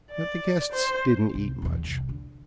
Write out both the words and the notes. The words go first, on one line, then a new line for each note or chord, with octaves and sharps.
But the guests didn't eat much.
D5
C5
C2
B1 E2
C2
D3